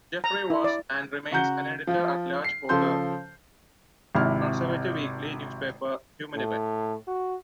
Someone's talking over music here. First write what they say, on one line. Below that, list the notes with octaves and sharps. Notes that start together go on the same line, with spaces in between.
Jeffrey was and remains an editor-at-large for the conservative weekly newspaper "Human Events".
A#5
E4
D5
C#3 F#4 F#5 A#5 G6 G7
F3 F4
C7
C#3 F3 A4 C5 C6 G6
G#1 C3 E4 F6
A2
F#4